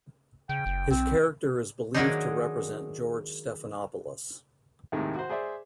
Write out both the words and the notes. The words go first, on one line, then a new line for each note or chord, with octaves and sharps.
His character is believed to represent George Stephanopoulos.
C#3 G5
F#1
B1 C4
D#3 F#3 G#3 A#3 D4 D#4
D#2 A2 C3 D#3 G#3
F#4 C5
G#4 C5 D5 E5